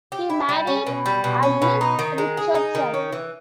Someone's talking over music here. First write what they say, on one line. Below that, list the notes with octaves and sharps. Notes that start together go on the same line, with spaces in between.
He married Agnes Richardson.
G4
E4
G3
C#4
B2
G3
B2
C#4
B2
D#4
D#3
G#3
G#4
D#4
D#3
C#4
E3